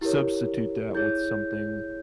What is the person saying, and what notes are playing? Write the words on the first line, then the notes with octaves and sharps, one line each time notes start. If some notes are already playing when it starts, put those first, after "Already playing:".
substitute that with something
E4 G4 A#4 C#5
E4 G#4 C#5 G6